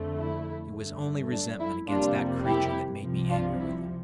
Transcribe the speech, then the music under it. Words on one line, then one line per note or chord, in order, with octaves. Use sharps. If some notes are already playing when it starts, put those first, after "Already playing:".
It was only resentment against that creature that made me angry with him.
Already playing: F2 D3 A3
E4
G1 G2 D3 A3
D4
E4
F2 C3 G3 A#3 D4 F4
E4 G4
C2 C3 F3
D4 F4
E4